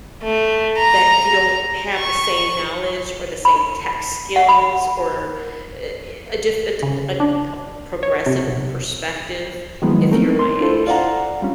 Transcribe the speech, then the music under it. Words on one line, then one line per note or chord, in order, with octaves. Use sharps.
that you don't have the same knowledge or the same tech skills or, eh ye a diff a di a d a progressive perspective if you're my age.
A3
A#5
C#6
B5
F#5
B5
C#3
D4
C#5
C3
B1
D#3 F3 F#3 G#3 B3 E4
A3 C4 D#4 A#4
C6
D4 E4 F4 A4 C5
F4 D5 F5 F#5 A#5
D2 G3 C#4